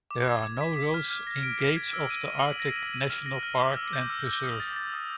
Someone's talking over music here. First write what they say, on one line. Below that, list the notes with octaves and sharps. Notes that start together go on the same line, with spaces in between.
There are no roads in Gates of the Arctic National Park and Preserve.
D6
G#6
D6
B6
B6
F6
F6
A#6
D7
F6
G#6
E6
D#7
D#7
F#7
A#6
D#7
D#7
F6
A#6
F6
D6
E6
G6
E6
E6
D#6
A6
A6
D#6